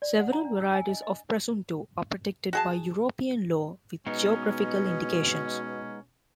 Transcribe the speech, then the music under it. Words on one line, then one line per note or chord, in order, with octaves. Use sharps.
Several varieties of "presunto" are protected by European law with geographical indications.
D5
F#5
A#5
D4
E6
G#5
D#5
D#5
F#4 G#4 A5
B2 G#3 B3 C#4 D#4